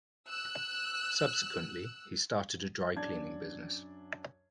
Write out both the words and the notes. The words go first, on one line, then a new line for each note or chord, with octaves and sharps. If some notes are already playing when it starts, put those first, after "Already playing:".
Subsequently, he started a dry-cleaning business.
E6 F#6
F#2 D4 A5 G#6